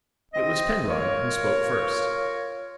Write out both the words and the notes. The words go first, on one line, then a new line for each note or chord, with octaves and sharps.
It was Penrod who spoke first.
C4 D#5
F4 A#4 C#5